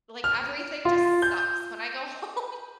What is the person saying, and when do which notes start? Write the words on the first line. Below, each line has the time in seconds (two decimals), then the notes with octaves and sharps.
like, everything just sucks when I go home,
0.24 F6
0.85 F4
1.22 G6